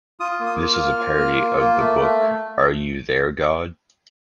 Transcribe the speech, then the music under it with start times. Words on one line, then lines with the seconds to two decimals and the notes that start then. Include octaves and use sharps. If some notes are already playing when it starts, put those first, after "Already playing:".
This is a parody of the book Are You There God?
0.20 F4 D#6
0.40 A#3
0.46 D#6
0.60 F4
0.73 F6
0.79 A#3
0.99 F4
1.19 A#3
1.39 F4
1.60 A#3
1.79 A3
2.00 A3